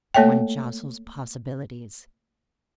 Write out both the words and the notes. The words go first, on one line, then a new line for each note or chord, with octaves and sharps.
One jostles possibilities.
A3 A#3 A4 C#5 E5 G5